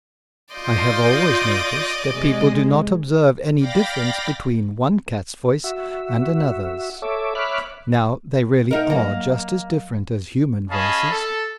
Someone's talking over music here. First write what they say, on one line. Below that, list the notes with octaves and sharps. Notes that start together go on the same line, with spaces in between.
I have always noticed that people do not observe any difference between one cat's voice and another's; now they really are just as different as human voices.
F4 D5 D#5 C6 G6
C3 G#3
D5 F5 G5 B5 D6 A#6
F#4 E5
A4 C#5 E5 D6
C#5 E5 B5 D6 F6 F#6
D#4 A#4 D#5 E5 F#5
F#3 A#3
C#4 G#4 D#5 F5 A5 B5
A4